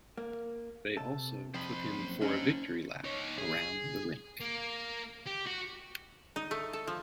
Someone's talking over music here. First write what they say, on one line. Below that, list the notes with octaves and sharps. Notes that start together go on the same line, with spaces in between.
They also took him for a victory lap around the rink.
A#3
C3 A4
F2 C5 B5
F#1
D3 C#4 D#4 C5
D#4 C#5
G#4
A#3
G4
F#4
D#4
A3
A4
F3